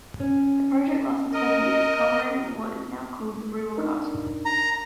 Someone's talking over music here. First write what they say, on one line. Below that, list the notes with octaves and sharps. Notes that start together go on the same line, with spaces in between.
The project lasted twenty years, culminating in what is now called the "Rubel Castle".
C#4
A#4 D#5
D4 D#4 A#4
A#5